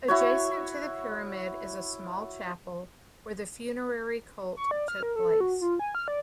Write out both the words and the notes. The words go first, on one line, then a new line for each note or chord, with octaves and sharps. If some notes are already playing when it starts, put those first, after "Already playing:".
Adjacent to the pyramid is a small chapel where the funerary cult took place.
E4 F#4 C#5
C#6
D5
F6
A#4
A4
F#4
F4
G#5
F6
D5